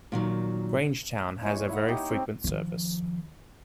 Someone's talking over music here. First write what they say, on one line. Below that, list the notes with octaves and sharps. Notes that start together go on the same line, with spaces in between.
Grangetown has a very frequent service.
A#2 D#3 F#3
E3 G#3 A#3 C#5
D#4
E4 F#5
D#4 G4
C4
D#3 F3